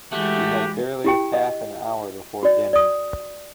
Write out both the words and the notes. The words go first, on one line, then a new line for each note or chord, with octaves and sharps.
You have barely half an hour before dinner.
E3 G#3 A3 F#4 G4
E4 G4 G5
D#5
F#4 D5
D5 D#6